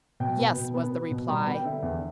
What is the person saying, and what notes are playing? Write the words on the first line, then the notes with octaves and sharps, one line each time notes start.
"Yes," was the reply.
B2 G5
B3
B2
B3
B3
B2
G3
B3
G5
D3 E5
E2